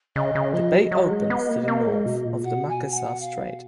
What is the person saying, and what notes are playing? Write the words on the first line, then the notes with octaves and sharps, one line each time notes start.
The bay opens to the north of the Makassar Strait.
C#3 D#5
C#3
F3 D#5
F#3
F#3
G#3
B3
A#3
A#3
G#3
B2
A#2
B2 F#5
G#5
F#5
F5